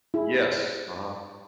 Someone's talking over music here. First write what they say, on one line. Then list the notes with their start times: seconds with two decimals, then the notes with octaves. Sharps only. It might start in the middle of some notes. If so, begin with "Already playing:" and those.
Yes, uh-huh.
0.14 E4 G#4